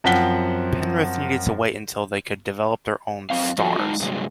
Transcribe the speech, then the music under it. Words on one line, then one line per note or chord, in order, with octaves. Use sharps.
Penrith needed to wait until they could develop their own 'stars'.
F#2 F3 C4 F#5 B6 G7
F#2 C4 F5
F3 D4 F4 F#4 A4
F#2 G#3 D#4 A5
G2 C3 F#3 G#3